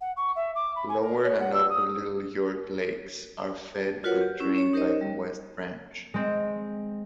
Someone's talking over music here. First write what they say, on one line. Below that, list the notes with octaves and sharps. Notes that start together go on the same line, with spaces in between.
Lower and Upper Little York Lakes are fed and drained by the West Branch.
F#5
C#6
E5
D6
B5
G#5
A#4
C#5
F#5
E6
D#6
F4 F#4 A#4 B4 C#5 F#5
G4
C#4 E4
C#4 C#5
D#4 G4 A#4 C5 C#5 D#5
G3
G#3 C4